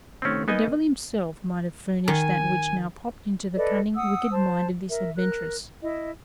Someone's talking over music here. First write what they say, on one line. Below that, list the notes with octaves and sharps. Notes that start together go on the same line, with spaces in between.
The devil himself might have furnished that which now popped into the cunning, wicked mind of this adventuress.
C2 D#3 A3 C4 C#4
A#3 B3 D#4 D#5 G#5
D#3 G#5
A4 B4 D5 D#5
F#5 D#6 E6
C5 A5
A#4 E5
A#4 F#6
E4 D#5